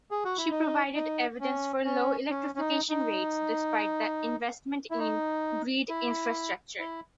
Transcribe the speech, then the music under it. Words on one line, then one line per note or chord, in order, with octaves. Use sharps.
She provided evidence for low electrification rates despite the investments in grid infrastructure.
G#4
F#4
E4
D#4
D#4
C#4
C#4
C#4
C#4
D#4
D#4
E4
D#4
E4
E4